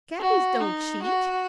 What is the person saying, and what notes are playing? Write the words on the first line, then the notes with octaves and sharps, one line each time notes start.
"Cabbies don't cheat."
F#4
D#4
F#4